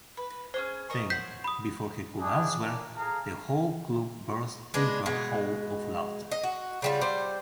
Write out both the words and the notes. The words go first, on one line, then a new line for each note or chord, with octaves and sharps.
Then, before he could answer, the whole club burst into a howl of laughter.
B4
C#4 G4 G#4 C5
A#4 D#5 C#6
C5 C#5 F#5 G6 B6
B5 D#6
D4 E4 G4 G#4
A#3 D4
G#4 A4 F5 A#5
G#3 B3 D4
B2 G#3
D#5
F#4
C#3 G3 F4
G3 C5